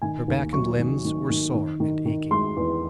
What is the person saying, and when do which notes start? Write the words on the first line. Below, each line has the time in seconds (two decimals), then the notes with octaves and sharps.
Her back and limbs were sore and aching.
0.02 D#3 G#5
0.28 D#2
0.53 F#3 C#6
0.78 D#3
1.05 D#3
1.30 D#3
1.55 D#3
1.80 D#3
2.05 D#3
2.31 G#3 C6
2.57 E2